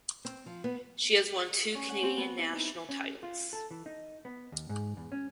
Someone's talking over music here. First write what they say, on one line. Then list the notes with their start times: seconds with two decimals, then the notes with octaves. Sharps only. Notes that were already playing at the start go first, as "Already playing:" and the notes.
She has won two Canadian National titles.
0.25 C4
0.46 F3
0.64 B3
1.75 C#4
1.89 F#5
2.03 C4
2.17 B3
2.37 E4
2.53 D#4
2.89 C#4
3.23 F4
3.53 A4
3.71 E3
3.86 D#4
4.25 B3
4.52 D#2
4.69 G#2
4.97 E2
5.12 C#4